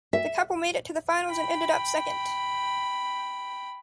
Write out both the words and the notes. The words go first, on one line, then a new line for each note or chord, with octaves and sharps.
The couple made it to the finals and ended up second.
E5
G5 B5